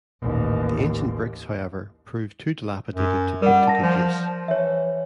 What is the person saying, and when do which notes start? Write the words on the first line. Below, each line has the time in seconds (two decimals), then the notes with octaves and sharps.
The ancient bricks, however, proved too dilapidated to put to good use.
0.22 A1 D#2
2.96 F#2
3.42 G3 A#4 F#5
3.67 A5 A#6
3.83 F3
4.48 E3 C#5 E5